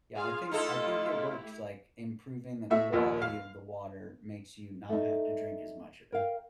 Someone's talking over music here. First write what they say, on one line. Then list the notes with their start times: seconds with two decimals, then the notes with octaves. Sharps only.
yeah, I think I think it works, like, improving the quality of the water makes you not have to drink as much of it.
0.16 F4 G#4 F5
0.52 A3 D#4 E4 G4 A4
2.70 A2 A3 E5
2.92 A#1 D#2 F3 A#3
3.22 F5
4.89 A3 D#4
6.12 A#4 F5 G5